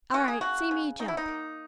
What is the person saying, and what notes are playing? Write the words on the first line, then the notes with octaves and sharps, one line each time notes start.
All right, see me jump.
A#3 F#4
G#4
C#3 F#4
C#3
F#3 D#4
E4
D#4
A#3